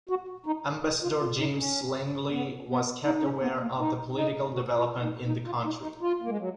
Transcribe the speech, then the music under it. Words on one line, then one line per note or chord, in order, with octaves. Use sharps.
Ambassador James Langley was kept aware of the political development in the country.
F#4
D#4
D#4
F4
F4
D#4
C#4
B3
B3
D#4
D#4
C#4
B3
A#3
D#4
D#4
F#4
F4
D#4
D#4
F4
D#4
D#4
F4
A#3
G#3
F#3